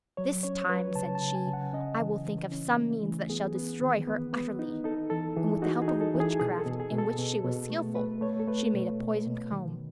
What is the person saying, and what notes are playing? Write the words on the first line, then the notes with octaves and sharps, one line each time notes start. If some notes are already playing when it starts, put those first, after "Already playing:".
"This time," said she, "I will think of some means that shall destroy her utterly;" and with the help of witchcraft, in which she was skilful, she made a poisoned comb.
F#3 C#5
C#4 C#5
C#5
F#3 B4
C#3 A5
A5
C#3
G#5
C#3
F#5
C#4 D#5
E3
E3
C#4
A3
E3
B3 G#4
B3
D#3
B3
B3
D#4
D#4 A4
E3 A4
E3 G#4
D#4 F#4
G#4
D#4
A4
E3
G#4
B2 G#4
A4
B2
G#4
B2
A4
B2
B2
A3
A3 B4
A3 C#5
A4
A3 B4
B2
B2
B2
D#3